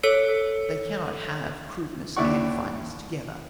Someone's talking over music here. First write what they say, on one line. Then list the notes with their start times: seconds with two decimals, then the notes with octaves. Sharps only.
They cannot have crudeness and fineness together.
0.03 A4 C#5 E6 C#7
2.17 D#2 D4 E4 D5 F#5 C#6